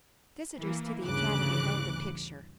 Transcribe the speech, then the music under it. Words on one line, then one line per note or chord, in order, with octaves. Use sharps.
Visitors to the Academy know the picture.
E3 A#3
D2 G2 C#3 E3 D6 F#6